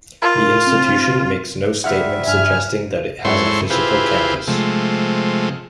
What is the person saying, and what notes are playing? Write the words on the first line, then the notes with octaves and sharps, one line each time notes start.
The institution makes no statement suggesting that it has a physical campus.
F4 A#4
C4
C3 F3 G3 E5 F#5 F6
G2 G#5 F6
G#2 C4 E4 A4 C#5 C6
C4 E4 F4 G4 G#4 B4
C3 F3 G#3 A3